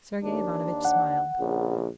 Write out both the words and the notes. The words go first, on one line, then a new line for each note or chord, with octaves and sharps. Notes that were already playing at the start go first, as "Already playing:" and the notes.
Sergey Ivanovitch smiled.
D#2 D4
F#5
A#1 C#3